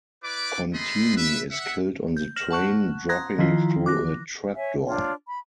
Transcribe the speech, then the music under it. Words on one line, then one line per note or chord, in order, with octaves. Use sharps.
Contini is killed on the train, dropping through a trap door.
E4 B4 D5 D6
G#3 A3 B3 D#5 B5 C6
B4 E5
E5 F#5
G6
F6 A#6 E7 F#7
F#5 A5 C#6 F#6
A#5 C6 D#6 F#6 G#6 A#6
D#3 F3 E4 F4
D6 F#6 A#6
C#5 E5 G#5
D4 F4 C#5
B5